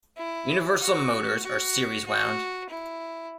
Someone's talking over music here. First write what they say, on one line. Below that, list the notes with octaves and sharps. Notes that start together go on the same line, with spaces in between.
Universal motors are series wound.
E4
F#4
F#4
F#4
E4